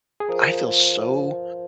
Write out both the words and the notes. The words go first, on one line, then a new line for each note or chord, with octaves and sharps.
I feel so
G#4
F3 A#4